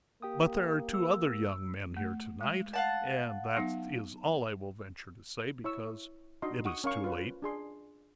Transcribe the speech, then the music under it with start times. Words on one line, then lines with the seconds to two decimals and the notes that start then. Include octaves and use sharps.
But there are two other young men here to-night, and that is all I will venture to say, because it is too late.
0.22 A#3 G4 G5 D#6
0.94 E6
1.97 A3
2.41 G#3
2.73 F5 F#5 A5
3.57 F#3 B3 D#4
5.64 E4 C#5 C#6 E6
6.42 D4 D#4 F#4 D#5 C6
6.65 F#5 C#6 D#6
6.84 C#4 A#4 F5 C#6
7.04 F4 B4
7.42 D4 G#4 C6